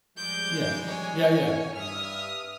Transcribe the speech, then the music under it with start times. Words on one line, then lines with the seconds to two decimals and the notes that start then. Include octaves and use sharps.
Yeah. Yeah, yeah.
0.17 F3 G3 G#3 D6 G6
0.88 C#5 G#5
1.75 G2 E5 D#6 F6